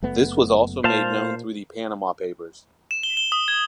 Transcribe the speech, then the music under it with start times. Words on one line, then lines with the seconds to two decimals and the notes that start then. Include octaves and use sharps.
This was also made known through the Panama Papers.
0.03 F#1 A3 B3
0.84 A#2 C5 F5 A5
2.91 E7
3.03 G7
3.17 G7
3.32 D#6
3.48 G#6